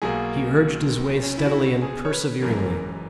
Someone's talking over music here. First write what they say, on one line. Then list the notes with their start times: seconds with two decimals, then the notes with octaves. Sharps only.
He urged his way steadily and perseveringly.
0.02 B1 B2 A#3 G#4
1.23 C#4
1.37 E4
1.45 F#4
1.52 E4
1.67 F#4
1.82 G#4
2.05 C#5
2.12 B4
2.42 F#1 F#2 E3 G#3 A#4